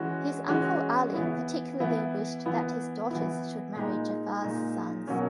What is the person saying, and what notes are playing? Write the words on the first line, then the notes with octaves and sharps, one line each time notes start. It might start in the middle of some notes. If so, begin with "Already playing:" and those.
His uncle Ali particularly wished that his daughters should marry Ja'far's sons.
Already playing: E3 G#3 C#4 F#4
E3 G#3 C#4 F#4
E3 B3 E4
E3 B3 E4
E3 B3 E4
E3 B3 E4
A#2 G#3 D#4
A#2 G#3 D#4
B2 F#3 A#3 C#4